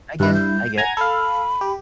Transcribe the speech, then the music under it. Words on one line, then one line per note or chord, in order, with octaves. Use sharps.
I guess, I guess.
G2 E4 F#6
G6
F#5 G#5 A#5 G#6
A4 F5 B5
G4